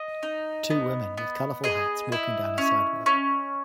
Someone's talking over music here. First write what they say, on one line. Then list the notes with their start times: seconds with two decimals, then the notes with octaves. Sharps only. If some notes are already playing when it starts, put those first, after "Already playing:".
Two women with colorful hats walking down a sidewalk.
Already playing: D#5
0.23 D#4
0.70 B3
1.17 B3
1.64 G#4 D#5
2.12 E4
2.58 C#4
3.06 C#4